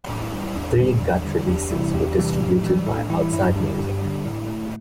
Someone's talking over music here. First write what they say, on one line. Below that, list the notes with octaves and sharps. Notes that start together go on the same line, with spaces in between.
Three Gut releases were distributed by Outside Music.
A2 D4
E4
G3 D4
E4
E2 D4
D3 G3
E2
D3 G3
E2 D4 G4
C3 E3 G3 E4
E2 D4 G4
C3 E3 G3
A2
E3 G3
A2 E4 A4
D4
E3 G3 E4
E4
G2 E4
D4
D3 G3 D4
E4
G2 D4 G4
D3 G3
A2 E4
A3